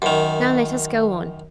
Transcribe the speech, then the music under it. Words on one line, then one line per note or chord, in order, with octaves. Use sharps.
Now let us go on.
F#2 D#3